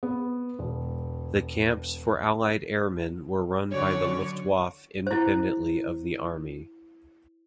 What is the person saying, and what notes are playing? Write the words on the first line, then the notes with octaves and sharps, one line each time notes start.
The camps for Allied airmen were run by the Luftwaffe independently of the Army.
B3
E1
D3 F#3 C#4 F#4 C#5 D5
E4 C5